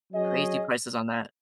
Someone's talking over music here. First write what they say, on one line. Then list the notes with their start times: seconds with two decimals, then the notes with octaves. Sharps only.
Crazy prices on that.
0.13 F#3 C#4 G#4 D#5